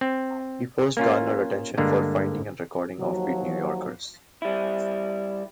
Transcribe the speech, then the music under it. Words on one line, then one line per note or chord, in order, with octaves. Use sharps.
He first garnered attention for finding and recording offbeat New Yorkers.
C4
A#3 C#4 F4
G2 D3 G#3 A#3 D4
D#2 F3 F#3
G3 E4